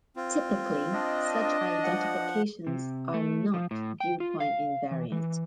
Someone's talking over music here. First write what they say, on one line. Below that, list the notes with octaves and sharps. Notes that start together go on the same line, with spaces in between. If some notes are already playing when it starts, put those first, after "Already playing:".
Typically, such identifications are not viewpoint-invariant.
C4 F4
D4 D#5
F3 F#5
C3
A3
F3
A2
G5
F4
F5
E3
E3